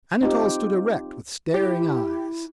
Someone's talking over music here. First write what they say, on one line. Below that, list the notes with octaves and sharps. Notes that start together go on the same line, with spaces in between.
Anatole stood erect with staring eyes.
C4 D#4 F4 G4
E4 G4